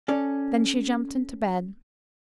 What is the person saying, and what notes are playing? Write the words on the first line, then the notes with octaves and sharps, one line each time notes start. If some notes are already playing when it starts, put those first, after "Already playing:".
Then she jumped into bed.
C#4 A4 D5